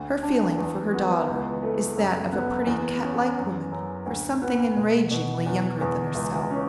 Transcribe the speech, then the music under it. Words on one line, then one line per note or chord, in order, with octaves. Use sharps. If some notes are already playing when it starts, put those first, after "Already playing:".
Her feeling for her daughter is that of a pretty cat-like woman for something enragingly younger than herself.
Already playing: D2
D4
E2
B3
C#2
A3
F#2
B3
E2
C#4
F#2
F#2
D2
B3
B2
B2
E2
E2
C#2
C#4